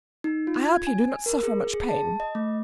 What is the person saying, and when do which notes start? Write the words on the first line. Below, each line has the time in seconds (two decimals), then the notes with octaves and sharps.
"I hope you do not suffer much pain!"
0.24 D#4
0.47 F4
0.64 G#6
0.87 G#5
1.26 A#4
1.43 G#4
1.73 G#4
1.89 A5
2.20 D#5
2.35 A3